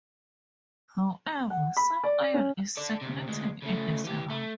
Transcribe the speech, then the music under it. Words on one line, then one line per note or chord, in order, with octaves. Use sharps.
However, some iron is circulating in the serum.
F#5
B5
D5
C#4
A4 D5
D2 C3
D2 G#3
C#3 A3
E3 G4
A3